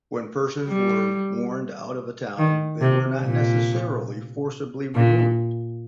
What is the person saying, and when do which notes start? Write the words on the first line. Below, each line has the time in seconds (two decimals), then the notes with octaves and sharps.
When persons were warned out of a town, they were not necessarily forcibly removed.
0.68 G3
2.38 D#3
2.81 C3
3.24 A#2
4.95 A#2